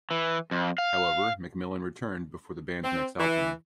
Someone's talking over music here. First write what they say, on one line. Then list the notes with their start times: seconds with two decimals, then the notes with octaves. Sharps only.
However, McMillan returned before the band's next album.
0.11 E3
0.51 F2
0.78 F5
2.84 C4
3.19 E3